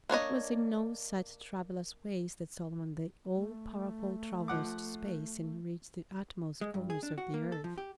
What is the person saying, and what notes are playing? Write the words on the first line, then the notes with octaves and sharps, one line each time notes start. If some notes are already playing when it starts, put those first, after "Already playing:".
It was in no such troublous ways that Solomon the all-powerful traversed space and reached the uttermost corners of the earth.
A#3 D4 C#5 D#5
A3
F3 F#5 D6
G#3
G2
G#4
D4
F#4
A#3
A4
F3
G4